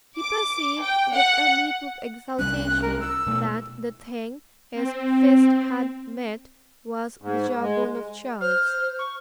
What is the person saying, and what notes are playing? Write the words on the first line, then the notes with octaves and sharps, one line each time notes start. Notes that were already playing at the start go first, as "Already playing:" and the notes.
He perceived with a leap of exultation that the thing his fist had met was the jawbone of Charles.
D6
G5
F#5
C2 G3 C#4 F#6
A#4
E6
B2 A3
C4
G#2
G#3
C5 F6
C#6